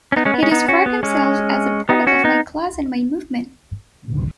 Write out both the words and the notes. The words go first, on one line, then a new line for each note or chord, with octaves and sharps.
He described himself as "a product of my class and my movement".
C#4
B3 D#4
G#3 C#4
B3
G#3 C#4
B3 D#4
C#4 F#4
B3
G#3 C#4
B3 D#4
C#4 F#4
B3 D#4